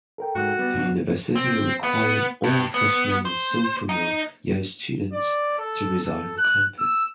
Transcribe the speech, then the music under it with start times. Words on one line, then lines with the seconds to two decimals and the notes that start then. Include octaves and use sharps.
The university requires all freshman- and sophomore-year students to reside on campus.
0.18 A4 A#4 G5
0.35 G#2 G#3 F#4
0.59 G3 B3
0.74 F#2 B2 D4
1.35 C4
1.84 B3
2.44 G2
2.74 B3
3.25 C5
3.89 D#4
5.13 D5
5.58 A4
6.03 A4
6.38 F#6
6.79 E6